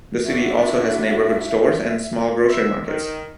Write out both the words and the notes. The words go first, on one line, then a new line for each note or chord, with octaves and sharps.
The city also has neighborhood stores and small grocery markets.
D4 E4 F#4 E5
E5
D#3